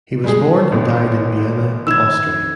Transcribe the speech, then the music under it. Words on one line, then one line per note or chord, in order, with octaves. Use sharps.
He was born and died in Vienna, Austria.
G3 G#3 G#4
A1 B2 D#3
D#3 E4 E6 G#6 E7